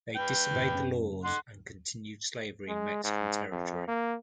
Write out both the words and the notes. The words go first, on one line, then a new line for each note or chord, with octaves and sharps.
They disobeyed the laws and continued slavery in Mexican territory.
B4 G5
F#2 A2 D3
F#1 F#2 C#4
F#5 C6
G#3
G#2
F2
A#3